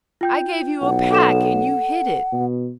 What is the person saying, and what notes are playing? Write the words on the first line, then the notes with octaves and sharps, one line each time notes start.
I gave you a pack and you hid it.
F4 G5 G6
B1 F#5
A4 E7
B2